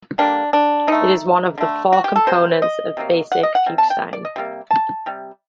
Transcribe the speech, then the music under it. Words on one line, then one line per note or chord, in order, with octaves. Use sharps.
It is one of the four components of basic fuchsine.
D3 G3 A#3 D4
D4
D3 A3 D#4
D3 A3
F#4
G4
A4
C3 F#3 C5
D#5
C3 F#3 A#3
F#5
D#5
F#5
C3 G3
A5
G5
D5
D#5
C3 G3 A#3
A5
C3 G3